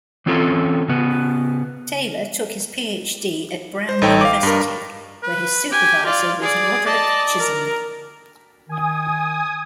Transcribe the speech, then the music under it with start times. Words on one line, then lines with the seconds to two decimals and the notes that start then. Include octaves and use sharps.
Taylor took his PhD at Brown University, where his supervisor was Roderick Chisholm.
0.26 E3 C4 C#4 F4 A4
0.88 C#3 B3
3.89 C5
4.02 A1 D#4 A4 C#5 G5
4.21 F5 D6
4.43 G2 A#4
5.23 B4
5.72 G4 G#5
6.06 F4 D5
6.42 G#4 D5
6.86 D5 D#5 A5
7.38 A#4
8.69 D#3 G#5 D#6